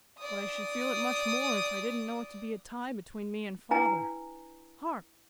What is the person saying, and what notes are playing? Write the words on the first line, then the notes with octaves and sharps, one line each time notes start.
But I should feel it much more, if I didn't know it to be a tie between me and father.--Hark!
D5 D#6
D4 E4 B4 G5 G#5 A#5